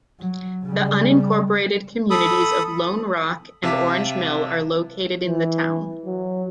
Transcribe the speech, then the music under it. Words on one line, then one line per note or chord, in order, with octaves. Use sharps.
The unincorporated communities of Lone Rock and Orange Mill are located in the town.
F#3
C#3 G3
A4 B5 D#6
C3 E5 F5 A5 D6 B6
E3
F#3